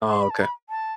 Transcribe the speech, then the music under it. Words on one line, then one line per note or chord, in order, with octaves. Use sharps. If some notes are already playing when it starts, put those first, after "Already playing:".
Oh, okay.
C6
B5
A5
B5
A5